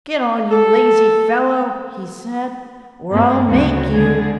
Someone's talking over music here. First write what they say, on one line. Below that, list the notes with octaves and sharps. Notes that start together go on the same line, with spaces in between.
"Get on, you lazy fellow," he said, "or I'll make you."
A4
G2 A3 A#3 C4
D2 C#3 F#3 A3 C4 F#4
D3 G#3 G#4